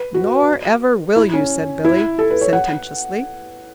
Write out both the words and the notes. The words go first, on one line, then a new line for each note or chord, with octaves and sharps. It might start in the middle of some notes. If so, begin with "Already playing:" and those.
"Nor ever will you," said Billy, sententiously.
Already playing: B4
F#4
E4
C#4
E4
A4
B4
C#5
F#5